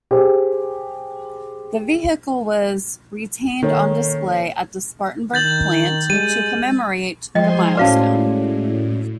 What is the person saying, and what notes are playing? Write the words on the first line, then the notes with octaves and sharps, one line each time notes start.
The vehicle was retained on display at the Spartanburg Plant to commemorate the milestone.
G4 G#4 C5
D#3 A#3 A4 C#5
D#3 G6 A6 F#7
G3 G#3 D#7
F3 G#3 C5 D#5 G5 G#5 C6
A2 G#3 C#4 F#4 B4 D5 F5 A5